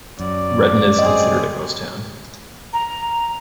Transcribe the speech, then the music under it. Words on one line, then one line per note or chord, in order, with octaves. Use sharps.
Redden is considered a ghost town.
F#2 D5
C4 G#4 D#5
A#5